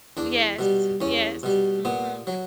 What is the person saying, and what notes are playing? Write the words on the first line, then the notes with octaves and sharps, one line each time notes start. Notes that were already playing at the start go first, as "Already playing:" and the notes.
Yes, yes, mhm.
E2 D4
B2 G3
E2 C#4
B2 G3
A#2 B3
F#3